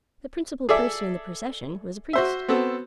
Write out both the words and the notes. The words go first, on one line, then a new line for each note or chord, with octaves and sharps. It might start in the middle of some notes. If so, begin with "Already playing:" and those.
The principal person in the procession was a priest.
G#4 A4 D5 E5
F#4 C5 E5
B3 C4 F#4 A4